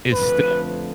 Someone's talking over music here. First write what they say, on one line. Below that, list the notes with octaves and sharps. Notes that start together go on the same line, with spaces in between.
is still
F2 D3 F3 A3 B4